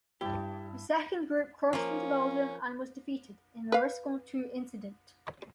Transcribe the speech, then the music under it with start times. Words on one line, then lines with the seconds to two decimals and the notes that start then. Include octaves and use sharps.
The second group crossed into Belgium and was defeated in the Risquons-Tout incident.
0.21 G2 E4 G4 A5
1.73 F3 A#3 C#4
3.72 B4 F5